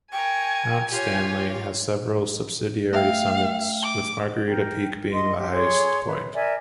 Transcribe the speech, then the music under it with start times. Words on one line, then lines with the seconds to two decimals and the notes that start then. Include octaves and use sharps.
Mount Stanley has several subsidiary summits, with Margherita Peak being the highest point.
0.12 A#4 G5 G#5 C#6
0.91 F4 G4 C#5 G#5
2.92 A3 E5 F5 G5
3.83 D6
4.46 A#4 G5
5.12 D#5 C6
5.39 G4
5.53 G#4 C#5 C6
6.06 B4
6.34 A#4 D5 E5 G#5